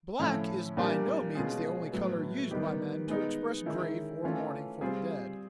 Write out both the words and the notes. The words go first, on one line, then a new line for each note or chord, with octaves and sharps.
Black is by no means the only color used by man to express grief or mourning for the dead.
A2 F3 A3 C#4 E4
A#2 G3 A#3 D4 G4
B2 G#3 C#4 F4 G#4
A2 F#3 B3
D#3 G3 B3 D#4 G4
G#3 B3 D#4
D#3 G#3 C#4 E4
E3 A3 C#4 F4
G3 C4 F4 G#4